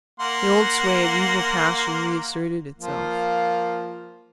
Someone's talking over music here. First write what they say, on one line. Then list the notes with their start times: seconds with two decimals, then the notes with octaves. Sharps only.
The old sway of evil passion reasserted itself.
0.20 A#3 F#5 C6
2.78 F3 A#3 F4